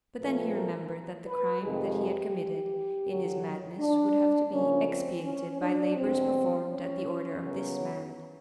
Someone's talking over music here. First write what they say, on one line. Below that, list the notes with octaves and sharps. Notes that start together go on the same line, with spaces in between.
But then he remembered that the crime that he had committed in his madness would have to be expiated by labors performed at the order of this man.
A#2 F3 A3 C4 B4
A#4
B4
F2 C3 D#3 G#3 G4
F#2 D3 F#3
D4
C#3 F3 A#3 C#4
C4
C#4
D4
E2 B2 G3 C4
C#4
F#2 C#3 F#3 B3